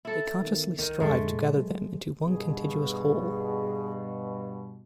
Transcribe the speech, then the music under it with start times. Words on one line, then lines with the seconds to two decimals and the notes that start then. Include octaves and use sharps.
They consciously strived to gather them into one contiguous whole.
0.05 E4 A4
0.42 D#3 B3
0.79 C2 D#3
1.00 F2 A2 D3 G#3 A3
1.29 A#2
1.51 F#3
2.25 G2 B2 G#4